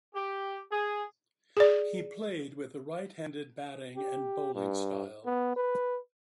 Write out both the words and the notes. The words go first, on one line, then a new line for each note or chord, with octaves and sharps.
He played with a right-handed batting and bowling style.
G4
G#4
G#4 D5
G4
G2
B3
B4